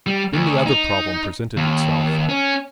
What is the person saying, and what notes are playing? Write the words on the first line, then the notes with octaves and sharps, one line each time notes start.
Then the other problem presented itself.
G3
D2
D#4
D#2
C#4